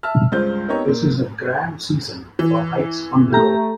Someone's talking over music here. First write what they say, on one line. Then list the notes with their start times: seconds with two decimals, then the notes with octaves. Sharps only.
This is a grand season for hikes on the road.
0.03 E5 A5 E6 F6
0.32 C#2 G2 G#3 F4 C5 G6
0.68 B3 C4 D#4 G4 A#4 C#5
0.85 A#2 A#3
2.39 E3
3.33 A3 G4 A#5